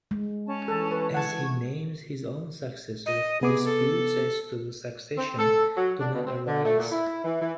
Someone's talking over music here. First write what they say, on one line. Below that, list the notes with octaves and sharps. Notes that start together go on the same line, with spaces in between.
As he names his own successor, disputes as to the succession do not arise.
G#3
C#4 A5
E3 A4
B4
F#5 A5 C#6 G#6
D#5
C3 B3 G#4 D6
A4
C4
A4
F#3
D4
B2
C4
D3
A3
A#2
E4
E3
E3